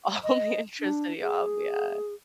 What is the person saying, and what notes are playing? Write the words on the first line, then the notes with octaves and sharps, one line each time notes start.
all the electricity off, yeah.
D#5
D4
G#4